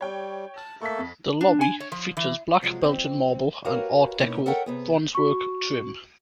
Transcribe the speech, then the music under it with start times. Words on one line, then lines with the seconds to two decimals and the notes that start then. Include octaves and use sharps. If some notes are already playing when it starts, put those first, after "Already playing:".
The lobby features black Belgian Marble and Art Deco bronzework trim.
0.01 G3 C#5 G5
0.57 A5
0.81 A3 A#3 A4 C#6 B6
0.98 F2
1.41 D4
1.61 G#5
1.80 C#5
1.92 F3
2.17 E3
2.61 C3 F3 F#3 G#3
2.81 F2 C4
3.65 F#4 G4 A#4 B4 C#5 F5
4.18 B2 A#3 C#4 D#4 E4
4.46 A4 A#4 C#5 E5 F#5 G5
4.66 C3 B3 G#4
5.15 F#4 C#6